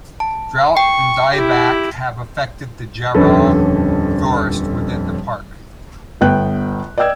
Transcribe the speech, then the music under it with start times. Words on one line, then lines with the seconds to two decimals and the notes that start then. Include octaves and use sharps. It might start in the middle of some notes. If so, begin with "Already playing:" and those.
Drought and dieback have affected the jarrah forest within the park.
0.20 A5
0.77 G5 C#6
1.34 E4 G4
3.14 D#1 F2 D3 C#4 A4 B4
6.21 G1 B3 G5 F#6
6.98 D5 D#5 G5 E6 G#6